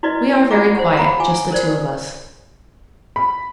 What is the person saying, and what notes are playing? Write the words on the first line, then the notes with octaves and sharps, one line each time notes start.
We are very quiet, just the two of us.
E4 F#4 B4 D5 D#5
F4 G4 D5 F#5 A#5 D6
C5 F#5
F5 F#5 A#5 B5
F4 G#5 D6
A#4 C5 D5
B5